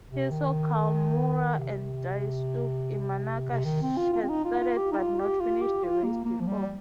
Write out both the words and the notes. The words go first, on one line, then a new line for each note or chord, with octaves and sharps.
Kisso Kawamuro and Daisuke Imanaka had started but not finished the race before.
C3
D#3
C3
C3
D#3
C4
F4
F4
C4
D#4
F4
F4
G4
D#4
F4
G4
F4
G4
F4
A#3
A#3
F3
G3